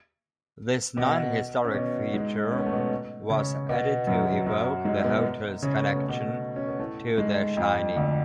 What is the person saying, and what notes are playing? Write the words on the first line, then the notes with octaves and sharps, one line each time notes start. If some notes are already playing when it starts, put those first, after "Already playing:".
This non-historic feature was added to evoke the hotel's connection to "The Shining".
B2 B3
C#4
B2 B3
G#2 G#3
C#4
B3
A3
B2 B3
C#3 C#4
B2 B3
F#2 F#3
F#2 F#3
G#2 G#3
B2 B3
C#3 C#4
B3
A3
B2 B3
C#4
B3
A2 A3
G#2 G#3
F2 F3
D2 D3